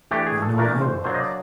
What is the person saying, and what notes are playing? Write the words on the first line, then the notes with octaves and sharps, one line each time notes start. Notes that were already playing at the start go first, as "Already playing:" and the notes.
I know I was.
E3 A3 D4 G4
G#4
A4
E3 A3 D4 A#4
C5
F#3 A#3 D4 C5
D#5
D5